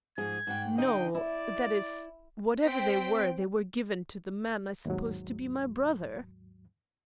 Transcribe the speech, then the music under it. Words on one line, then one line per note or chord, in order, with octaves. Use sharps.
"No,--that is,--whatever they were, they were given to the man I supposed to be my brother."
G#2 F3 G#4 G#6
G#2 F#5 G5
D3 D#4 D#5 G5
E4 D5
C4 G5 B6
D#2 G#2 F#3